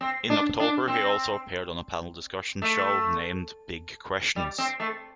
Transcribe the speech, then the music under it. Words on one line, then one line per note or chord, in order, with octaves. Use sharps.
In October he also appeared on a panel discussion show named "Big Questions".
C4
D4
D4
C4
A3
G3
C4
A3